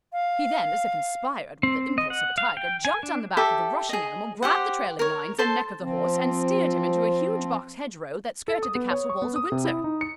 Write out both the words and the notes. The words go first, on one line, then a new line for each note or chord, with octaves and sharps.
He then, as if inspired with the impulse of a tiger, jumped on the back of the rushing animal, grabbed the trailing lines, and neck of the horse, and steered him into a huge box hedge row that skirted the castle walls of Windsor.
F5
C4
D#5
F#5
F5
G5
G#5
D4
G4 A4 E5
G#4 D#5
G4 C5 F#5
A#4 C#5
A4 C5 A5
F3 C4
A4
D#6
B3
C#5
C#6
B3
D#6
C3
E4
D#4
C#7